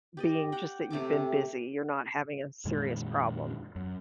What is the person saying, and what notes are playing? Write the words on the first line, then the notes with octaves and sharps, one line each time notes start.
being just that you've been busy; you're not having a serious problem.
G4 D5 D#5
F#5 G5
C3 A3 A4 D6
F2 A#2 D#3 G#3
F#2